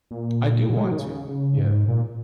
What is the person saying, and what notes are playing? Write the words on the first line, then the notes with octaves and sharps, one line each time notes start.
I do want to, yeah,
A#2
A#2
G#3
F#3
D#3
C#3
C#3
G#2
A#2